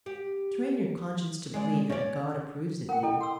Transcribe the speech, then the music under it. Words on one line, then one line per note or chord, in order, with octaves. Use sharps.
Train your conscience to believe that God approves of you.
G4
G#3 D5
C#4 D5
A#4 F#5 G5
E4 A4 D#5 G5
F#5 C6 E6